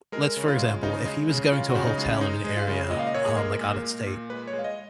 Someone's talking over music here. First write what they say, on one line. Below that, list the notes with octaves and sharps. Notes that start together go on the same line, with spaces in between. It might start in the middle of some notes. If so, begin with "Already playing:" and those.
Let's for example, if he was going to a hotel in an area, um, like out of state,
G#3 A#4
C#3
F4
G#3
C#3 D#4
G#3
C#3
C#3 F4
F#4
C#3
D#4
G#3
C#4
G#3 D#4
G#3
F4
C#3
A#2 D#5
F5
D#5
A#2 C#5
G#4
G#3 A#4
A#2 A#4
A#2
A#2
G#3 B4
C#5
G#3
F5
D#5